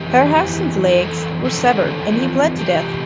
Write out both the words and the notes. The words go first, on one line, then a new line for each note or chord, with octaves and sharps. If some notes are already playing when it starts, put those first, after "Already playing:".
Herrhausen's legs were severed and he bled to death.
Already playing: F2 E3 G4
F2 E3
F2 E3 A4
E2 D3 F3 A4
E2 D3 F3
E2 C3 G4